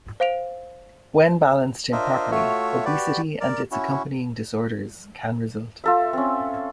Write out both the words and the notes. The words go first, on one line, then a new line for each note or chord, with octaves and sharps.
When balanced improperly, obesity and its accompanying disorders can result.
C5 F5 D7 F7
D4 F4 A#4 C5 D#5 E5
A3 F4 F#4 C#5 E5
F#4 G4 B4 D5
A#4 D5
C#4 E4 F#4
F4 A4 E5
C4 C#4